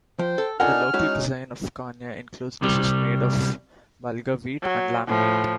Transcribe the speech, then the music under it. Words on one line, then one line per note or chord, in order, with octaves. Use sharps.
The local cuisine of Konya includes dishes made of bulgur wheat and lamb meat.
F3 C5 G5
A4
D4 D#4 F4 A4 A#4 F#5 G#5 F6
G#3 C#4 D#4 E4 F#4
C2 C3 G3
F#3
A2 F3